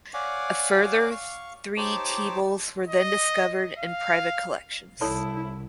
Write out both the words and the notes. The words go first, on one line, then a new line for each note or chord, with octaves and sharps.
A further three tea bowls were then discovered in private collections.
C#5 D5 F5 F#5 G#5 D6
F5 C#6
D#4 G4 C5 C#5 A5 D6
D#5
F5
C2 E4 A4 C#5 A5